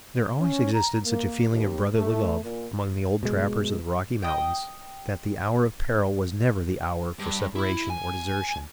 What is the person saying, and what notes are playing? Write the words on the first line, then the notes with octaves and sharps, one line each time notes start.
There always existed such a feeling of brotherly love among the old trappers of the Rocky Mountains, that the hour of peril was never the hour for separation or desertion.
C#4
A#5
A#3
D#2
A3
A#2
B2 G#3
D#5 G5
G2
E4
G#5